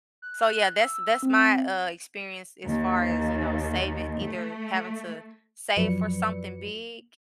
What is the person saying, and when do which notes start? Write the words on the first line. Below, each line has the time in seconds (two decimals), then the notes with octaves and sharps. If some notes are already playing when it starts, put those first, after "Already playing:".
So, yeah, that's that's my, uh experience as far as, you know, saving either having to save for something big
0.22 F#6
0.80 E6
1.23 C4
2.65 D#2
4.21 A3
5.77 F#2 F3 F#3 B4 D5 C#7